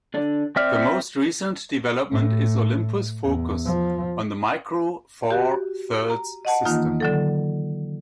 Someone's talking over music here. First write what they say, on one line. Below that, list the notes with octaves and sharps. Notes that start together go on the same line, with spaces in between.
The most recent development is Olympus' focus on the Micro Four Thirds system.
D3 D4
C4 D5 E5 F6
A2
E2
F3
F#4 G4
A#5
D#5 F#5 A5
D#3 E3 A#3 D#4 F4
D3 F#3 A4